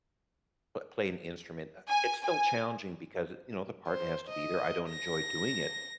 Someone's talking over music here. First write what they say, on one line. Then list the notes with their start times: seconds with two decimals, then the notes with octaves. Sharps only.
p play an instrument, uh, it's still challenging because, you know, the part has to be there. I don't enjoy doing it.
1.88 G#5
2.23 G#5
3.87 C5
4.29 D#5
4.89 A#6